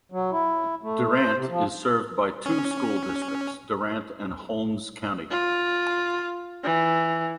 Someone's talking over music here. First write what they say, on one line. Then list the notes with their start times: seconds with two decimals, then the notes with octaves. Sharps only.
Durant is served by two school districts - Durant and Holmes County.
0.12 F#3
0.32 E4
0.83 A3
1.12 C5
1.37 C3
1.49 F3
2.46 C#4
5.31 F4
6.64 E3